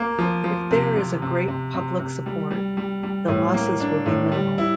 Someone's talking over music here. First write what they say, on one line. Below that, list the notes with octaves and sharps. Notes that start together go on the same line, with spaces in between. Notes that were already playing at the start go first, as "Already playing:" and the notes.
If there is a great public support, the losses will be minimal.
Already playing: A#3
F3
F3
C3
C3
C3
C3
C3
C3
G3
G3
G3
G3
A2
A#3
D4
A2
G3
E4